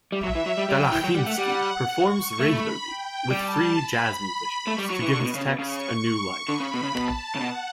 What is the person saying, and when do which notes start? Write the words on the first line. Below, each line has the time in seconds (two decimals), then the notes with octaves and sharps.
Dalachinsky performs regurarly with free-jazz musicians to give his text a new life.
0.12 G3 E5
0.24 F#3
0.35 E3
0.46 F#3
0.58 G3 G5
0.69 G3
0.80 F#3
0.92 E3
1.03 F#3 F#5
1.15 G3
1.26 A3
1.38 G3
1.94 C#6
2.40 A3 B5
2.86 G5
3.30 G3 A5
3.77 B5
4.67 A3 C#6
4.79 G3
4.90 F#3
5.02 E3
5.13 D3
5.20 A2
5.24 B2
5.36 C#3
5.47 B2
5.58 C#3 C#6
6.49 D3 B5
6.61 C#3
6.74 B2
6.83 C#3
6.95 B2 A5
7.36 C#3
7.40 B2 F#5